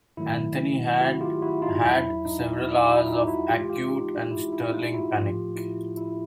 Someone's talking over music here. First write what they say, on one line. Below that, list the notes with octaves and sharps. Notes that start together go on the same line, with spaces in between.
Anthony had had several hours of acute and startling panic.
G#2 D#3 F#3 A3 E4
E4 F#4
F4 G4
E4 F#4
D#4 F4
E2 B2 F#3 E4
D#4
E4
E4 F#4
D#4 F4
E4 F#4
G#2 E3 G#3 F4 G4
F4 G4
D#4
E4
E4
E4
D#4 F4
E4 F#4
A2 F3 A3 F4 G4
E4
E4